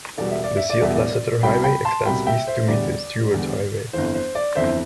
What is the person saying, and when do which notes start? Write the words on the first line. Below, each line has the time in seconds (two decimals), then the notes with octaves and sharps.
The sealed Lasseter Highway extends east to meet the Stuart Highway.
0.18 E1 E2 B2 G3 D5
0.30 E5
0.44 D5
0.57 E5
0.70 D5
0.81 E1 E2 B2 G3 E5
0.95 D5
1.43 C2 B2 G3 G5 B5
1.64 G5 B5
1.85 A5 C6
2.06 C2 B2 G3 G5 B5
2.27 E5 G5
2.47 C5 E5
2.68 E2 D3 G3 D5
3.31 E2 D3 G3
3.93 G1 F2 E3 C5
4.14 C5
4.35 D5
4.55 G1 F2 E3 C5 E5